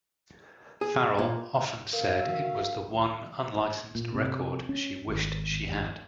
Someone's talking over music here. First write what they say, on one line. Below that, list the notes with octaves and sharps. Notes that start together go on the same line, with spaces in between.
Farrell often said it was the one unlicensed record she wished she had.
G#4
A#2
A#4 F5
F#4 E5
A#2
C3
C#4
G#1